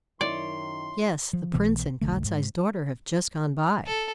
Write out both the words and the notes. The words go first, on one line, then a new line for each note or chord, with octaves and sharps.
'Yes, the prince and Kostiei's daughter have just gone by.
F#2 D#3 E4 C#5 D5 C6
F3
B1 B2 E3 B3
F1 B1 D3 A3
G#2
A4